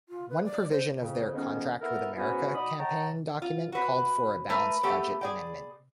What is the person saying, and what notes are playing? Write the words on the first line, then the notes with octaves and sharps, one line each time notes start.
One provision of their "Contract with America" campaign document called for a balanced-budget amendment.
F4
B4
D5
C5
F2 C#3
F2 D#3 G#3 B3 C#4
B3 E4 F#4 A4 A#4
G#2 B3 C#4 E4 F#4
D#4 F#4 D5 B5 D#6
C#5 D#5 F#5 G5 A5 A#5
F4
F#4 B4
A3 A#4 B4
A3 B3 G4 A4 G5
G#4 D5 G5